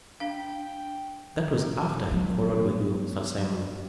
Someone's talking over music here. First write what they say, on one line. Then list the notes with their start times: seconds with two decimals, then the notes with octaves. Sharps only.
That was after he quarrelled with you, Sir Simon.
0.20 D4 F5 G5
1.43 A#4
2.08 F#3 B3